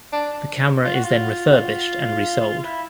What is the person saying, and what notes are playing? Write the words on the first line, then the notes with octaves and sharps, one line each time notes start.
The camera is then refurbished and resold.
D4
F4
F#4
F4
F#4
F4
E4